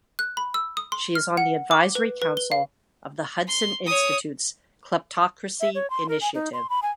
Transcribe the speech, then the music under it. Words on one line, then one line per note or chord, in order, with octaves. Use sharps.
She is on the Advisory Council of the Hudson Institute's Kleptocracy Initiative.
F#6
B5
E6
D#6
C6
F6
F#5
D6
B4
B4
G7
F5
C6
C#5 D#6
E5
C#5
C6
A#4
G#5
D#4
C6
B5
G#5